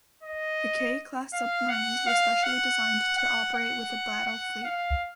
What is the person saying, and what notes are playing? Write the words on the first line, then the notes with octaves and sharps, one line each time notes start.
The "K" class submarines were specially designed to operate with a battle fleet.
D#5
F5
F#5
F5
F#5
F#5
F#5
F#5
F5